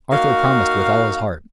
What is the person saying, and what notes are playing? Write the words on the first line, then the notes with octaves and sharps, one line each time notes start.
Arthur promised with all his heart.
A#3 D#4 F#4 F5